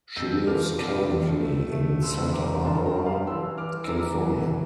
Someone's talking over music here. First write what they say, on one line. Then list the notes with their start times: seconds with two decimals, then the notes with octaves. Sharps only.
She lives currently in Santa Barbara, California.
0.16 F2 E6 G6
0.47 F3 D6 F6
0.78 C3 D6 F6
1.10 F2
1.41 A3
1.72 A3
2.02 G2 C6 E6
2.23 C6
2.33 G3 A#5 D6
2.52 A#5
2.65 G2 A5 C6
2.85 G5 A#5
2.96 G3
3.06 F5 A5
3.27 E3 C6 E6
3.58 E3 D6 F6
3.84 E6
3.89 E3 A#5 D6
4.20 E3